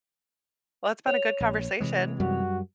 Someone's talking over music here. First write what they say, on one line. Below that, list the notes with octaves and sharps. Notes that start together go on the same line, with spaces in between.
Well, it's been a good conversation.
C#5
A#1
C3 E3 G#3
F#2 G3 F#4